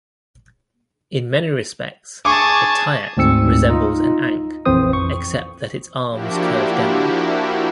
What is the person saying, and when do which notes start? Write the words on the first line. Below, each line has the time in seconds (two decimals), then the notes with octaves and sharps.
In many respects the tyet resembles an ankh, except that its arms curve down.
2.25 G#4 A5 C#6 D6
3.17 D2 G#2 C4 E6 C#7
3.69 D#4 F4 D#5
4.66 A#1 F2 E3 C4 C5 D#6
4.93 C#6
6.10 F3 A#3 D4 E4 F#4 G4